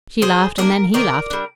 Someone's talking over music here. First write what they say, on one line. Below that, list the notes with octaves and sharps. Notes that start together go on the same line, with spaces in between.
She laughed and then he laughed.
F3 G#4 C5
A#3 D4 A#4 D5
D#3 A#4 D5
G3 D4